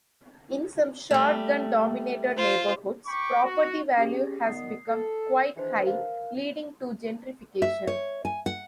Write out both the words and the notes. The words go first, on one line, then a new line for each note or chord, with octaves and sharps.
In some shotgun-dominated neighborhoods, property value has become quite high, leading to gentrification.
G3 A3
F4 C5
G5 B5 C#6 D6
F#4
C#4 G4 G#4
A#2 D#3 B3 D#6 C7
A4
D#3 E3 D4 G#4 C5
A#4 F5
E5
C#5
G#5
F#5